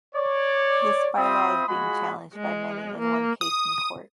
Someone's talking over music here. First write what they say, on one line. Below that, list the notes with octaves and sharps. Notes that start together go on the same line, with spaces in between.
This bylaw is being challenged by many, in one case in court.
C#5 D5
C4 F4 C5 E5 B5 D#6
G#3 F4 F#4 G#4 B5
G#3
A#3
D#6